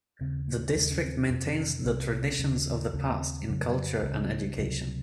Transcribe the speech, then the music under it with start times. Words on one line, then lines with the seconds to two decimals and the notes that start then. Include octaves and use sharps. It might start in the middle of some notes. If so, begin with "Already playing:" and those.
The district maintains the traditions of the past in culture and education.
0.21 D#2 C#3 C4
0.48 A#3
0.75 D#2 C#3 G#3
0.91 C#4
1.03 C4
1.30 F2 C3 C4
1.47 C4
1.57 C#4
1.85 C2 C3 C4
2.27 C4
2.39 D#2 C#3 C#4
2.94 D#2 C#3 C#4
3.01 C4
3.09 A#3
3.16 C4
3.49 F2 C#3 F#3
4.02 C#2 C#3 G#3
4.20 A#3
4.39 G#3
4.57 C#2 C3 F#3